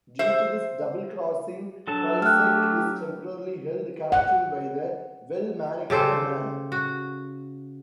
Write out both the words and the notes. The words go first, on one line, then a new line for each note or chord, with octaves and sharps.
Due to this double-crossing, Krycek is temporarily held captive by the Well Manicured Man.
C5 E5
F#3 D4 A4 A5
A3 G4 F6 F#6
F#5
C#3 G4 A4 C5
F#4